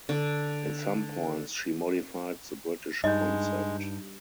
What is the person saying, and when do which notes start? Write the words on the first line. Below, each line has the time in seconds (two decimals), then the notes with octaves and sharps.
In some points she modified the British concept.
0.09 D3
3.04 G2 G#3 D#4 D#5 G6